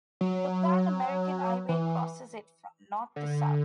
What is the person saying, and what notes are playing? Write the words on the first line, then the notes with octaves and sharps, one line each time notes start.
The Pan-American Highway crosses it from North to South.
F#3
E3
D3